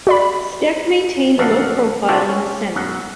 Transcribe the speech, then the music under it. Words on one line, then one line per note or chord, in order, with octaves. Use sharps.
Steck maintained a low profile in the Senate.
F#4 D5 B5
A#1 F#2 D3 A4 F5 F#5
C3 G#3 D4 F4 F#4 A4
C#4
B1 F#2 F#5